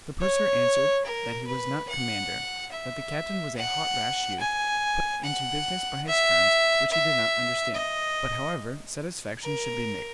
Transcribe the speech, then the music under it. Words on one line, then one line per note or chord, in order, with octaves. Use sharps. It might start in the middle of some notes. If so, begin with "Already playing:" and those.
The purser answered, that he was not commander; that the captain was a hot rash youth, put into business by his friends, which he did not understand; but however, satisfaction should be made.
C#5
A#4
B4
F#5
E5
F#5
G#5
F#5
E5
E5
D#5
A#4